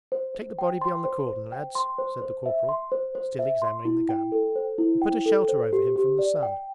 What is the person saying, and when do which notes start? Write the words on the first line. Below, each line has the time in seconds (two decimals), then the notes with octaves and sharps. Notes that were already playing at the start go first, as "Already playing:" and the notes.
'Take the body beyond the cordon, lads,' said the corporal, still examining the gun, 'and put a shelter over him from the sun.
0.12 C5
0.35 C5
0.59 G5
0.81 C6
1.05 C5
1.28 C5
1.52 G5
1.75 C6
1.98 C5
2.22 C5
2.46 E5
2.69 C6
2.92 C5
3.15 C5
3.39 E5
3.62 C6
3.85 E4
4.09 G5
4.32 A4
4.56 C5
4.78 E4
5.02 G5
5.26 A4
5.48 C5
5.73 G4
5.96 G4
6.19 D5
6.43 G5